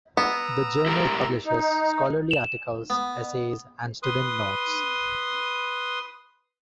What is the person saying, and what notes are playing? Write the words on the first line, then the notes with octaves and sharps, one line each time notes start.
The journal publishes scholarly articles, essays, and student notes.
B3 A#5 E6
E4 G4 A#4
D#4
E7
B3
B4 C6 D#6